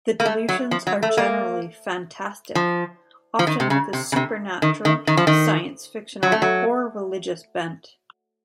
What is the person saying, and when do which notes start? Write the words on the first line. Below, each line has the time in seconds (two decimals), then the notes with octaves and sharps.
The delusions are generally fantastic, often with a supernatural, science-fictional, or religious bent.
0.20 A#3
0.26 A3
0.49 F#3
0.71 F3
0.87 F#3
1.03 A3
1.18 A#3
2.55 F3
3.39 F3
3.47 D#3
3.60 C3
3.70 C#3
3.93 C3
4.12 C#3
4.16 C3
4.62 D#3
4.85 D#3
5.07 D#3
5.17 F3
5.27 D#3
6.23 F#3
6.32 A3
6.42 F#3